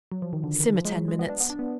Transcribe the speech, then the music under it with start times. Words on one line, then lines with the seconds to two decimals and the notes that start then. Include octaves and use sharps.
Simmer ten minutes.
0.12 F#3
0.22 F3
0.33 D#3
0.44 D3
0.60 D#3
0.76 F3
0.85 G#3
0.92 F#3
1.08 G#3
1.19 B3
1.29 D4
1.40 B3
1.50 D4
1.59 B3